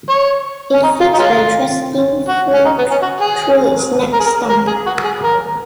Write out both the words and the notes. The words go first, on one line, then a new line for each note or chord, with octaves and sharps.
It feeds by thrusting food through its neck stump.
C#5
C#4
D#4
F4
D#4
G#3 C#4 F4
F#4
C#4
D#4
B3
C#4
F#4
G#4
A#4
G#4
A#4
A#4
G#4
F#4
G#4
A#4